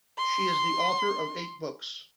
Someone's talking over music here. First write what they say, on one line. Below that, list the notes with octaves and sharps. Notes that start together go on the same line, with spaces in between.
She is the author of eight books.
C6